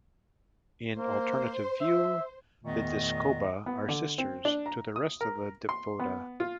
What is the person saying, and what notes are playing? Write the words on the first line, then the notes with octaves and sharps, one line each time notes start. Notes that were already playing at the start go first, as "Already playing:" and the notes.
In alternative view, the Discoba are sister to the rest of the Diphoda.
A#3 C5
E5
E2 A#2 D#3 A3 B3 D#5
B3
D3
C4
D4
A#5
D#6
A#4
C6
B3
F4